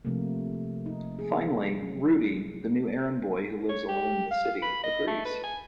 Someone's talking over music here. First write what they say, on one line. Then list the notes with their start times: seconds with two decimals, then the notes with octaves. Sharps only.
Finally, Rudy, the new errand boy who lives alone in the city, agrees.
0.05 C3 F3 A3 A#3
0.86 D#4
1.19 G#4
1.82 F#3 C#4
3.69 C#5
3.88 G4
4.31 F5
4.62 B5
4.84 D#5
5.07 A3
5.25 B4
5.44 G#5